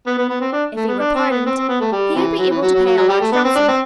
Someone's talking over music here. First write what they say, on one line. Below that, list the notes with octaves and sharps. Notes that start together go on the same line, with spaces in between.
If he were pardoned, he would be able to pay a large ransom.
B3
B3
B3
C4
D4
A3
B3
D4
C4
B3
C4
C4
B3
A3
G3
C3 E3
F#3
E3
F#3
F#3
F#3
F#3
G3
A3
B3
C4
D4
C4